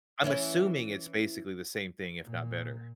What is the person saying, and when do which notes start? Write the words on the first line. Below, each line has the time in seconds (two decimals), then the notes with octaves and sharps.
I'm assuming it's basically the same thing, if not better.
0.24 E3 C#4 E4
2.23 A#2